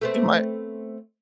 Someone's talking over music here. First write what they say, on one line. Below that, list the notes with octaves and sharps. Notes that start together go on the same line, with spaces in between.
It might
A3 B3 C4